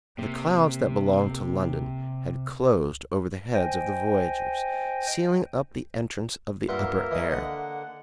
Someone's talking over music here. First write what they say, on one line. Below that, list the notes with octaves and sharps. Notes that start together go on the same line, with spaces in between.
For the clouds that belonged to London had closed over the heads of the voyagers sealing up the entrance of the upper air.
C3 A#3
C5 D#5 G5 G#5
G2 A#3 F4 A#4 E5 F#5
E3 D#5
D3 A#3 D#5 F#5